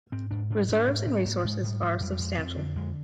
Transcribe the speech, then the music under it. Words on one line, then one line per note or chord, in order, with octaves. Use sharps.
Reserves and resources are substantial.
G#2 C4
G#2 D4
G#2 D4
G#2 D4
G#2 D4
D4
G#2 C4
G#2 A#3
G#2 G#3
G#2 G3
G#2
F2 G3
G3
F2 G#3
F2 C4
D3
F2 G#3